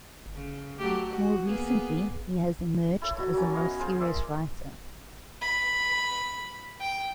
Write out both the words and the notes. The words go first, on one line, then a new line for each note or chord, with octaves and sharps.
More recently he has emerged as a more serious writer.
C#3
F#3 A3 G4
F#4
A#3 B3 G#4
E4 A4 C#5
F#3
F#3 A#3 C#4
B3 C#5 D#5 F5
F3 G#4 C5 F5
A#3 D5 E5
B5
G5